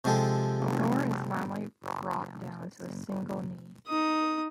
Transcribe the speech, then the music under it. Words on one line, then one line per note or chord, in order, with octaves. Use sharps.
Thor is finally brought down to a single knee.
C3 F3 G#3 G4 A4
D#4 D#6